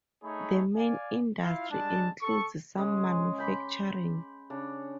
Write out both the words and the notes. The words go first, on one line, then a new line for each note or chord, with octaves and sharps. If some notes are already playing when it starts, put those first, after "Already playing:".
The main industry includes some manufacturing.
A3 D#4 G#4 C#5 B5
D5 F5 G#5
E4 F4 F5
G3 G#3 D4 A5
A4 C#6
C#3 G#3
G5 B5 C6 D6
C#3 D4